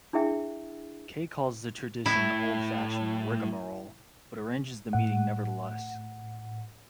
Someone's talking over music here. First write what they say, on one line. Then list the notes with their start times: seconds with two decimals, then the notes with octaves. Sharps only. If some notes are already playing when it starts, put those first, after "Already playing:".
Kay calls the tradition "old-fashioned rigamarole," but arranges the meeting nevertheless.
0.13 D4 E4 G#4 E5 G5
2.06 A2 E4
4.93 A2 F#5